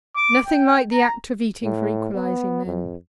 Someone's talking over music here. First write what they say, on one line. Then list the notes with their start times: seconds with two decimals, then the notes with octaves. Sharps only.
'Nothing like the act of eating for equalising men.
0.16 D6
0.47 G5
0.92 A#5
1.63 A2
2.14 B3
2.66 F2